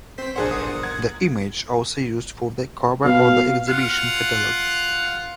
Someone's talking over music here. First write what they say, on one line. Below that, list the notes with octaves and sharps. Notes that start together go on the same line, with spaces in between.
The image also used for the cover of the exhibition catalog.
C4 C5 B6
A#1 D4 G#4 A#4 C5 F#5
G1 D#6
G#6
B2 F5
F4 F5 F#5